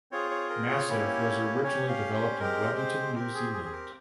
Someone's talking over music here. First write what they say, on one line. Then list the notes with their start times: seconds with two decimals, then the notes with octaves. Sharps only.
"Massive" was originally developed in Wellington, New Zealand.
0.11 C4 F4 G#4 C#5
0.31 C#5
0.50 A#4
0.69 C#5
0.88 A#3 C#4 E4 G4
1.64 C#4 G4 C#5
1.89 F5
2.14 C5
2.40 G#3 C4 G4 A#4
2.77 C5
3.15 C4 G4 A#4
3.34 G#4
3.53 G#4
3.65 G#4
3.72 A#4